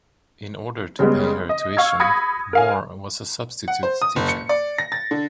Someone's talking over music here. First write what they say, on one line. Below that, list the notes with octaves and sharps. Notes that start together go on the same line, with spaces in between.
In order to pay her tuition, Moore was a substitute teacher.
C#3 G3 G#3 B3
D#5
F5 C#6 E6 G#6
B5 D#6 G#6 A#6 C#7
A#4 F5 G#5
F#5
C5
D#6
F#1
C#7
D5
A#6
A6
D3